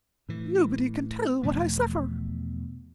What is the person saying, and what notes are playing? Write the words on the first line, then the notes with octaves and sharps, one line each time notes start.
Nobody can tell what I suffer!
A2 E3
E2 B2 F3 A3